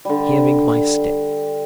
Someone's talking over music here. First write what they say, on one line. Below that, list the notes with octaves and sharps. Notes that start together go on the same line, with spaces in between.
Hearing my step!
D3 G3